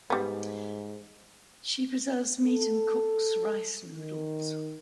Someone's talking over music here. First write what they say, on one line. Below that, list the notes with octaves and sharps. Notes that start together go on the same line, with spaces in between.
She preserves meat and cooks rice noodles.
G#2 G3 B3
A4
D#3